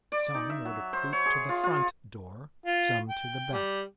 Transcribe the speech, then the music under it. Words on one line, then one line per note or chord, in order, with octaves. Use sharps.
Some were to creep to the front door, some to the back.
D5
D#4
E5
F#3
C5
C#5
G#4
F4
F4
F4
G5
G3